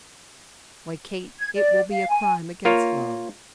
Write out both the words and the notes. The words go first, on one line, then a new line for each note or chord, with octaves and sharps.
Why, Kate, it will be a crime against Love.
G#6
D5
F5
G#5
A#3 F4 A#4 C#5